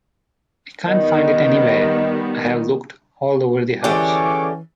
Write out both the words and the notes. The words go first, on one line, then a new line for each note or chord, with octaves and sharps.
I can't find it anywhere; I have looked all over the house.
D#3 G3 B3 D#5
D3 E3 C#4 G4 G#4 C#6 D6